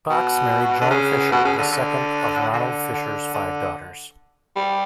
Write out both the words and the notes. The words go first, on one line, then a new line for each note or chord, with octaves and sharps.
Box married Joan Fisher, the second of Ronald Fisher's five daughters.
B2
D3
C#3
B2
C#3
D3
D3
D3
D3
D3
G3